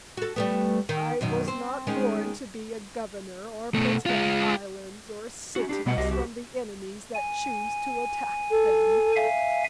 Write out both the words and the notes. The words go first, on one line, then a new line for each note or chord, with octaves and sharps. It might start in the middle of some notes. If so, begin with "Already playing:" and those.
I was not born to be a governor or protect islands or cities from the enemies that choose to attack them.
F#4 A4
G3 A3 B3
D#3
F#2 B2 D#3
C4
D#3 G#3 C#4
B2 A3
G#3 F4
C#4 F#4
D4 F#4 G4
B2 G3 D#5 F#5
C2 F#4 G4 D#5
F#4 G4
G#5
A4
E5 F5 G#5